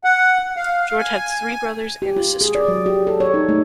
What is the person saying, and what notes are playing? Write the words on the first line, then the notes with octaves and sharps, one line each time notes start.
George had three brothers and a sister.
F#5
F5
G#5
G4
F4
G#4
D5
F#3
G4
A4
C#5
D#4
A3